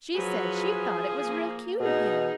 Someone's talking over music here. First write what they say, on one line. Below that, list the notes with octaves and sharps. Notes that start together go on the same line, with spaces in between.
She said she thought it was real cute of him.
F3 F#3 G#4 B4
A#3
B2 D#4 G#4